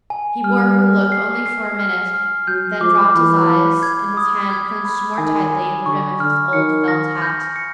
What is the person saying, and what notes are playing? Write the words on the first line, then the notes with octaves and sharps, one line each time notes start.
He bore her look only for a minute, then dropped his eyes, and his hand clinched more tightly the rim of his old felt hat.
G#5
G3 F6
F6
C7
C7
F6
F6
F#3 G6
F3 D6
E3 B5
B5
G#6
D#6
G#6
B5
D#3 G#5
G#5
D3 C#6
D3 F6
D#3 C#7
A#6
G6
C#7